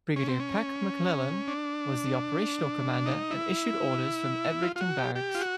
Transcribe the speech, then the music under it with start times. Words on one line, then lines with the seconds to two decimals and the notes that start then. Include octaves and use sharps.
Brigadier Pat MacLellan was the operational commander and issued orders from Ebrington Barracks.
0.16 C#4
0.28 C4
0.40 C#4
1.48 D4
3.06 D#4
3.31 E4
4.62 F4
4.76 F4
4.81 F#4
4.98 G4
5.15 G4
5.35 F4
5.41 F#4